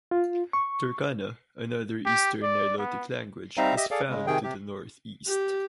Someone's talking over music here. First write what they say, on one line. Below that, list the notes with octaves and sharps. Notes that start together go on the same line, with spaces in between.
Turkana, another Eastern Nilotic language, is found to the northeast.
F4
C#6
G4
D5
B3
G3 C4 D#4 E5 F5 A#5
G4 D#5 E5
G#4 A4 D5 F5
C#3 G#3
C3 D#3 G#4 G5
C3 G4
G4